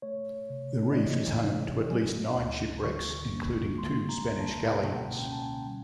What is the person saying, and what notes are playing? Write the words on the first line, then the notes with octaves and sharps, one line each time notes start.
The reef is home to at least nine shipwrecks, including two Spanish Galleons.
A3 C#5
C3
D#5
E3 D5
C3
F#3 G#5
D2
D3 C#6
A#3
G#3 C6
A#5
C#2
A5
G5
B2 G#5
F#5
C#4 G5
A5
G#5
G3